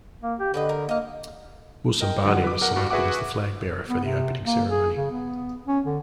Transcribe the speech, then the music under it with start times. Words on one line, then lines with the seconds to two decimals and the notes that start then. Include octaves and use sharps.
Moussambani was selected as the flag bearer for the opening ceremony.
0.23 A#3
0.39 G4
0.54 D3 B4 C#5 D#5
0.69 A#4
0.89 A#3 D#5 F5
2.01 A#4 D#5 G5
2.24 D3 F#3 F#5
2.44 B4 D6
2.61 B1 A#4 F#5
2.76 G2 F#4
2.90 F#4 G#4 B4 E5 F#5 D6
3.88 B3
4.04 C3
4.45 A#3
4.70 G#4
4.96 C#3
5.11 B3
5.67 C#4
5.85 D3